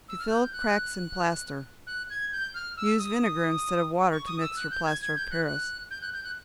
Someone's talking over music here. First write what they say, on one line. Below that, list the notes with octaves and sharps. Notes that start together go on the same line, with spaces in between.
To Fill Cracks in Plaster.--Use vinegar instead of water to mix your plaster of Paris.
E6
F6
G6
G6
F#6
F#6
G#6
G6
F6
E6
D#6
D#6
C#6
D#6
E6
F#6
G6
G#6
G#6
G6
F#6
F#6
G6
F#6
G6
F#6